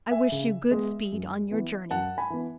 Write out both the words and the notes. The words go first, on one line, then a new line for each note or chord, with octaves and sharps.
I wish you good speed on your journey.
E5 G#5
C#3
G#3 B3
F#2
E3 B3
F#2 F#5 A5
G#5 B5
E3 B3